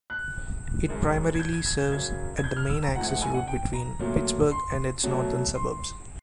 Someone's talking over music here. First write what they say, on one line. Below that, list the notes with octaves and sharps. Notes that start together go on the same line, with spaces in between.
It primarily serves at the main access route between Pittsburgh and its northern suburbs.
F#6
F#2 D#3 G#3
G#6
G6
G#6
G#6
G6
F#2 C#3 F#3 G#6
G#6
G6
F6
E6
A#5
G#2 F3 A3 F#5
F#5
G#5
F#5
G5
A#5
A#2 F#3 A3
C6
B2 F#3 A3
C6